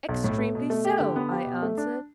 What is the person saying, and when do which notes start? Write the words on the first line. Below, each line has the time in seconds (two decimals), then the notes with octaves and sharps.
'Extremely so,' I answered.
0.09 B1
0.24 A2
0.39 A3
0.55 B2
0.70 A3
0.85 G4
1.00 D3
1.16 B3
1.31 G4
1.46 B2
1.62 A3
1.78 D4